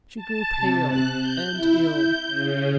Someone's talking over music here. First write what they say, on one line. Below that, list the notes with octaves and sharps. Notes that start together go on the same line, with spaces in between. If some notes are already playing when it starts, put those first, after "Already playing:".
She grew pale and ill.
A5
C3
F#6
G6
E4
G6
C#3